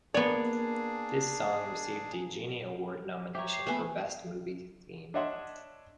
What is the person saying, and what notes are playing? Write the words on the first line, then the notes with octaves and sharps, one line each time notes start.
This song received a Genie Award nomination for Best Movie Theme.
A#3 B3 D4 G#4 C#5 D5
G4 C#5 E5 A#5
C7
A3 B3 B4 G#5
D4 C#5 D#5 E5 F#5 C6